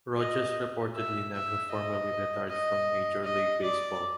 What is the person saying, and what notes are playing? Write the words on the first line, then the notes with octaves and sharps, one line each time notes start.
Rogers reportedly never formally retired from Major League Baseball.
D#5
E5
E5
D#5
D#5
D#5
D5